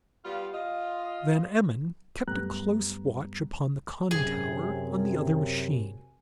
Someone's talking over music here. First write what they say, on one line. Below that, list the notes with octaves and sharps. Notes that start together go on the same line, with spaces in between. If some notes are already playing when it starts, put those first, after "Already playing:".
Van Emmon kept a close watch upon the conning tower on the other machine.
G3 B3 F4
F4 D#5
F#2 G3 A3 B3 A#5 F#6
F#2 C3 G#4